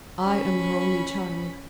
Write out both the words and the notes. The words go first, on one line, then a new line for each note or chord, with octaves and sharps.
I am her only child.
C#4 B5